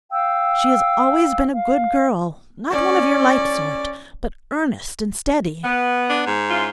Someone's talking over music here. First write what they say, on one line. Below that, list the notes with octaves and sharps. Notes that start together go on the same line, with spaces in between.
She has always been a good girl: not one of your light sort, but earnest and steady.
F5 G5 E6
F5
C#4 D5
B3
D4
G#2
C#4 E4 F4